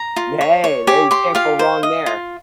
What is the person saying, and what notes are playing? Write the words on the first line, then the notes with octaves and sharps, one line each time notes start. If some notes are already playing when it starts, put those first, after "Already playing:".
Hey. There you can't go wrong there.
Already playing: A#5
F4
C#5
C#5
G4 G#5
G4 C6
F4 F5
C5
D#5
F4